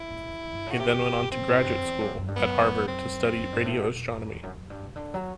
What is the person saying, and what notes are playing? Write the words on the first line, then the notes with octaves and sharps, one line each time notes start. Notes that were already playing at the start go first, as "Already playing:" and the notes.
He then went on to graduate school at Harvard to study radio astronomy.
Already playing: E4
A2
E2
E2
G2
A2 F#4
C3 G4
C3
A2
G2
F#2 C4
A2
G2
F#2
E2
F#2
F#2
G2
F#2 B3
C4
F#2
G2
A2
B2
B2
F#2
E2
F#2
F#2
G2
C3
D3
F#3